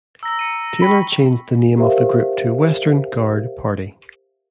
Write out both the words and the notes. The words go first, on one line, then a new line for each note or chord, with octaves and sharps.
Taylor changed the name of the group to Western Guard Party.
A#5 E6 A#6
C#7 D#7
G5 B5 C#6
G4 A#4 C5 E5 F5